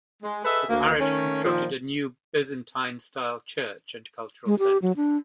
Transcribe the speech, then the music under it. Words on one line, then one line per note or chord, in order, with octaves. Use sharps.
The parish constructed a new Byzantine style church and cultural center.
G#3
G#4 A4 B4 D#5 E5
D2 A#3
D#3 A3 C#4
A#2 D#3 F3
G#3
G4
F#3
D4